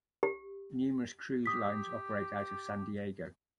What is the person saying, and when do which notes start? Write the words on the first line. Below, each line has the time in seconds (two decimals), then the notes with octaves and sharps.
Numerous cruise lines operate out of San Diego.
0.23 G4
1.46 G4 D#6 B6